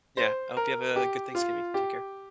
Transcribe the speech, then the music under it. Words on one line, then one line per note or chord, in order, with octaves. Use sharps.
Yeah, I hope you have a good Thanksgiving. Take care.
C5
A#4
G4
F4
G4